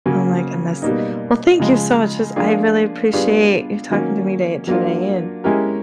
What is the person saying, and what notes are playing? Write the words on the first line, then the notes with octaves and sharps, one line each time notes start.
oh my goodness, well, thank you so much 'cause I really appreciate you talking to me day today, and
C#3 F#3 A#3 C#4
B2 G3 A#3 D#4
C#3 F3 G#3
F3 A#3 D4 F4 G#4
G3 B3 D4 F4 G#4
D#3 F#3 A#3 C#4
F#3 A#3 D4 F4
G#3 C#4 E4 G4 A#4